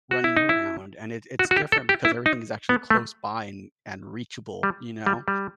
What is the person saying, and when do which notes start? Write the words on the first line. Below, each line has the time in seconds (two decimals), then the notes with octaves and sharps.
running around. And it it's different because everything is actually close by, an and reachable, you know?
0.11 F#4
0.24 E4
0.37 D#4
0.49 E4
1.39 F#4
1.51 F#4
1.56 G4
1.72 A4
1.89 G4
2.05 E4
2.26 D#4
2.69 B3
2.90 A3
4.63 G3
5.06 G3
5.28 G3